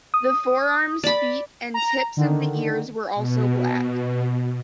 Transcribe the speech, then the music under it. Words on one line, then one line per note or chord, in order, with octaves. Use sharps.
The forearms, feet, and tips of the ears were also black.
D#6
D5 B5
A#5
D3 D#3
B2